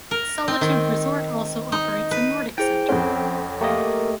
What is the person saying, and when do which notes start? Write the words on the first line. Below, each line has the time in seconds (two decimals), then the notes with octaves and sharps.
Solitude Resort also operates a nordic center.
0.11 A#4
0.48 C4
0.61 D#3
1.72 D#4
2.11 B4
2.58 E4 G#4 C5 G5
2.89 F2 C4 C#4 F#5
3.61 A3 A#3 G4 D#5